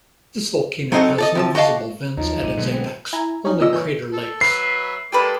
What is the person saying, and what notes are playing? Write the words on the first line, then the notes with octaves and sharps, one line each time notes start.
This volcano has no visible vents at its apex, only crater lakes.
F#3 C4 D#4 F#4 A4
A4 D5 D#5
C3 F3 A5
F#4 G4 D#5 F5 A5
D#2 F3 F#3 D#4
G#1 A#2 G3 A3 D#7
B2 D3 F#3 G#3 A3 B3
C4
E4 G#5 A#5
C#4 D#4
A#2 D#5 E6
E3 C#5 E6 G6
A4
F#3 B4 E5 C7
G#3 A#3 G4 A4 B4 D5